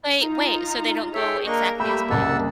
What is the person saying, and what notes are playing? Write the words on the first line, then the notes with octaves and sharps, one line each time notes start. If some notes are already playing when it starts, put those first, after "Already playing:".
Wait, wait, so they don't go exactly as planned?
D#4 F4 A#5
G#4 A4 C#5 E5 G5
A#3 D4 A#4 D#5 C#6
G3 A3 A#3 E5 G5 B5 E6
F#1 C2 F#5 A5 E6